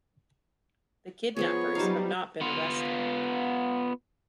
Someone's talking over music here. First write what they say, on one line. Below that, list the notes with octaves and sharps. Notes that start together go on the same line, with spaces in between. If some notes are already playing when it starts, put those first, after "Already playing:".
The kidnappers have not been arrested.
F3 B3 F4 G#4 C#5
F#3 G3 D#4 F5 A5
B3 F4